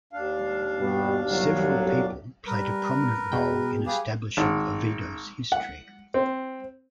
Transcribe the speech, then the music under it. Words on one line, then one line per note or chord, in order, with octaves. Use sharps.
Several people played a prominent role in establishing Oviedo's history.
D#2 D4 F5
G2 B2 G3
G1 C2 F#3
G3 A#4 B4
B2 G#4 G5
G4 G#4 B4 F5
G#1
F#5
C4